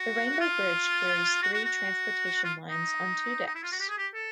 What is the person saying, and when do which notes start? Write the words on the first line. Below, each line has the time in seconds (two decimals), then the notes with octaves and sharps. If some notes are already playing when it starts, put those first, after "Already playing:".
The Rainbow Bridge carries three transportation lines on two decks.
Already playing: F#4
0.41 F4
1.43 F#4
1.53 F#4
1.65 F#4
2.44 F4
2.70 D#4
3.46 D#4
3.55 E4
3.63 F4
3.72 F#4
3.80 G4
3.89 G#4
3.98 G4
4.14 A4